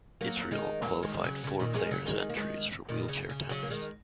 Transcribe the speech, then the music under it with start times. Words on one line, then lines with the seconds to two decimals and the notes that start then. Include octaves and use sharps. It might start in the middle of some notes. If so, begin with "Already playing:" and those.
Israel qualified four players entries for wheelchair tennis.
0.21 F#3 A#3
0.51 D#3 G#3
0.82 F#3 A#3
1.03 D#3 G#3
1.24 C#3 F#3
1.44 C#3
1.59 A#2 D#3
1.75 D#3 G#3
1.91 C#3 F#3
2.05 D#3 G#3
2.30 A#3
2.37 D#3 G#3
2.89 A#2 D#3
3.08 C#3
3.30 C#3
3.50 C#3 F#3
3.63 A#3
3.70 D#3 G#3